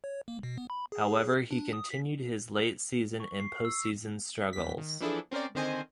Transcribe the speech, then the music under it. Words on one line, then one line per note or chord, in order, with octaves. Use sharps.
However, he continued his late season and postseason struggles.
C#5
A#3
B2
B3
B5
G#4
D4
D#6
B6
C#6
C7
E6
E2 B6
D#3
E3 F3 D4 E4 G#4 A4
C4 C#4 A#4 C5 D5
D3 D#3 C4 C5 D#5 G#5